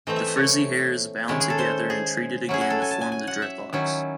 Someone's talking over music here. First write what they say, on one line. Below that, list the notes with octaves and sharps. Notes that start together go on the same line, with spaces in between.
The frizzy hair is bound together and treated again to form the dreadlocks.
E3 A3 C4 D#5
E5
D#5
C#5
D#3 G#3 C#4 E4
G#4
A4
C5
G#4
F#3 C#4 E4 G#4
F#4
A4
G#5
A5
G#5
G#5
F#5
E5
D#3 F#3 C#4 E4